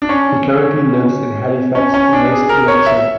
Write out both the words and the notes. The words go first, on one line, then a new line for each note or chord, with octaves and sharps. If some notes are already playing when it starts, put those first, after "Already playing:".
He currently lives in Halifax, West Yorkshire.
D4
C#4
C#4
C#4
D4
G#4
A#4
C#5
E5